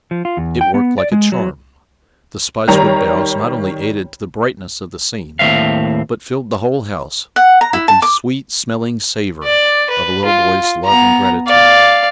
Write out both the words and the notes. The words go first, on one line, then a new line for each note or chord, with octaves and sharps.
It worked like a charm; the spicewood boughs not only added to the brightness of the scene but filled the whole house with the "sweet smelling savour" of a little boy's love and gratitude.
F3
F4
E2
G5
B3
D5
G#3
F#3
D#3 G3 C#5 A#5
D#2 A2 F3 C4 E5 F5
F#5
A#5
E4
A5
D6
D5
B4
F4
B3 A#5
D5 F5